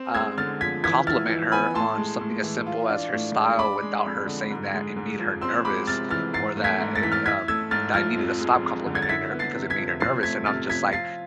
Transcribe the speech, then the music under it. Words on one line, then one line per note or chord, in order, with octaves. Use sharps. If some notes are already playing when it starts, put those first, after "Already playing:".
um, compliment her on something as simple as her style without her saying that it made her nervous or that it, um that I needed to stop complimenting her because it made her nervous, and I'm just like,
Already playing: C4
G#3 E6 G#6
D3 F6 A6
F3 G#6 B6
E3 G#6 B6
E4 F6 A6
E3
B3 G#5 B5
A2 A5 C6
G#3
A2
E3
F4
D4
A2
G#3
D4 B5 D6
G#3
F2
D3
G#2
G#3
G#2
F3
C4 C6 E6
G#3 B5 D6
C3 F6 A6
E3 F6 A6
G#2 A6 C7
A3
G#6 B6
G#2
A6
E3 B6
F6 A6
E4 G#6 B6
A3 E6 G#6
G#2 F6 A6
F3 F6 A6
F2
G#3
F2
D3
G#6
A6
E4 G#6 B6
B3
A6 C7
C3
G#6 B6
F3
C4 A6 C7
A3 G#6 B6
C3 F6 A6
F3 G#6 B6
F4 A6 C7